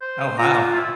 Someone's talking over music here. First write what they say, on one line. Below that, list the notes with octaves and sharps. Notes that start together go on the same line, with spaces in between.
Oh, wow.
C5
F4 A#5
E4